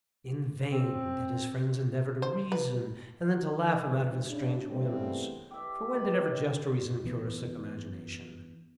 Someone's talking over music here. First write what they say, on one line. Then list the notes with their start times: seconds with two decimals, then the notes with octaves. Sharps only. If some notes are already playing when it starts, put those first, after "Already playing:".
In vain did his friends endeavor to reason, and then to laugh him out of his strange whims; for when did ever jest or reason cure a sick imagination?
0.72 C4
2.22 C5
2.52 B4
3.84 G#2 C3 D#3 E3 G#3
4.28 C#3 D4 E4
4.68 C#3 E3 G3 A3 B3 C4
5.51 G4 E5
5.93 D#3 B4 B5
7.05 E3 B3